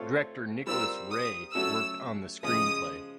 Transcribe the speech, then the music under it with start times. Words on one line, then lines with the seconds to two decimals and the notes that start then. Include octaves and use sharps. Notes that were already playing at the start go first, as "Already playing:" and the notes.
Director Nicholas Ray worked on the screenplay.
Already playing: A3 C4 F4 A4 C#5
0.67 G3 C4 F4 A#4 E6
1.11 D#6
1.55 F#3 A3 C#4 F#4 A4 E6
2.43 C#3 F3 G#3 D#6